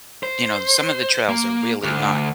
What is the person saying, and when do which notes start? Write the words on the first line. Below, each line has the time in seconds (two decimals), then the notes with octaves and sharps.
you know, some of the trails are really not,
0.23 C5
1.29 A#3
1.83 D2